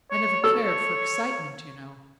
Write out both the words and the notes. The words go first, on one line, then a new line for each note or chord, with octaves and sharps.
I never cared for excitement, you know.
C#5
A4 C#5 E6